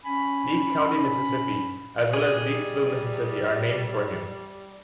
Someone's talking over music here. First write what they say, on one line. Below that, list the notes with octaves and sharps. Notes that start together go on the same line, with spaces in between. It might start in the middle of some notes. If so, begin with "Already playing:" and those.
Leake County, Mississippi, as well as Leakesville, Mississippi are named for him.
C#4 G#5 B5
G3 G#4 D#5